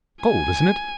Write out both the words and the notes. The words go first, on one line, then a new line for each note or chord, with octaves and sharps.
"Cold, isn't it?"
G#5